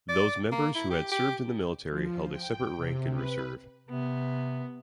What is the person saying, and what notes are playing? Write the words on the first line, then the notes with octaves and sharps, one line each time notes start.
Those members who had served in the military held a separate rank in reserve.
D5
A#3
E4
G4
G4
F3
G5
C3
B4
C3 B3